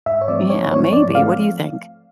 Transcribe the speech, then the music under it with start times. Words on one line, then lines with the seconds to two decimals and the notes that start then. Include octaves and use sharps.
Yeah, maybe, what do you think?
0.06 G#2 E5
0.21 C#5
0.28 F3 A3 C4 D5
0.50 G#2 C#5
0.71 F3 A3 C4 C#5
0.92 G#2 D5
1.14 F3 A3 C4 F5